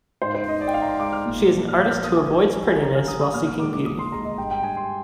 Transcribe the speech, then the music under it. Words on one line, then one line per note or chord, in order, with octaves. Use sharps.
She is an artist who avoids prettiness while seeking beauty.
G#2 C5
C5
D#4 D#5
D5
G5
D#4 F5
A#5
C6
G#3 D6
F6
A#2
F3
F6
F3 G6
F6
F3 D#6
G#5
G3
G3
G#5
D3 A#5
F6
D3 D#6
D#6
A#2 F6
F6
G#3 D6
D6
A#2 D#6
C6
G#3 A#5
D#5
G2 G5
G5
G2 G#5
C6